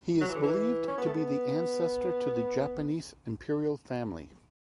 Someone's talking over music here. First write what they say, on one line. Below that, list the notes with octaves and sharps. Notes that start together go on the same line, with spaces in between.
He is believed to be the ancestor to the Japanese imperial family.
F#3
E3
D3
E3
C#4
B3
A3
B3